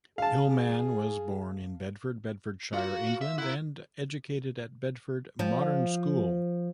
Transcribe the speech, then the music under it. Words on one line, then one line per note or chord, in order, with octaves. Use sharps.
Millman was born in Bedford, Bedfordshire, England and educated at Bedford Modern School.
G#4 F5 A5
A#3 F4 F#4
E5
E4 A#4 F#5
F3